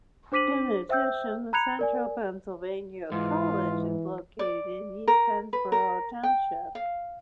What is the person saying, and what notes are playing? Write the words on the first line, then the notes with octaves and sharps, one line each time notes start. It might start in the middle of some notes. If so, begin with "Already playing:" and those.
In addition, the Central Pennsylvania College is located in East Pennsboro Township.
D4 C5 D6 B6 D#7 F#7
C5 E5 G5 E6 G6
A#5 B5 F#6 G#6 C#7 F7
A#4 D5 G#5
G#2 E3 F4
D5
A#4
B4
A#4
G5
F5